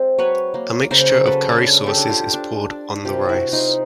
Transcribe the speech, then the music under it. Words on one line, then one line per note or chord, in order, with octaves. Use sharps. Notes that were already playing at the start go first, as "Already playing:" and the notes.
A mixture of curry sauces is poured on the rice.
Already playing: G#3 C4
F#3 B4 C#5
A#3
C#3 A#4 C5
F#3 A4 B4
D4
G4 A4
D4
F4 G4
D4
D4
C3 F4 G4
E4 F#4
C3
D#4 F4